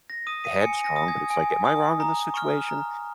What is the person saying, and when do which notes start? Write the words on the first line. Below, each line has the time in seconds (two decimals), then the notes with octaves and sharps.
headstrong, but it's like, am I wrong in this situation?
0.10 A#6
0.27 D#6 D#7
0.44 D#7
0.61 G#5 C#7
0.84 A#6
0.96 D#6
1.08 G#6
1.30 G#5
1.65 D#6
2.00 A#5
2.34 C#6 F6
2.68 A#5